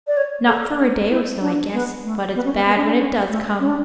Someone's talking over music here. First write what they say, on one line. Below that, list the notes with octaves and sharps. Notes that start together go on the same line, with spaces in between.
"Not for a day or so, I guess; but it's bad when it does come."
D5
C#5
A4
E4
D4
B3
A3
B3
C#4
B3
B3
D4
D4
C#4
A3
C#4
D4